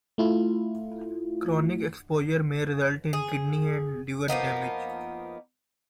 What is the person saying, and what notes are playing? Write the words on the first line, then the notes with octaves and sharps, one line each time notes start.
Chronic exposure may result in kidney and liver damage.
A3 E4 F4
G#4
F3 A#3 B3 D#4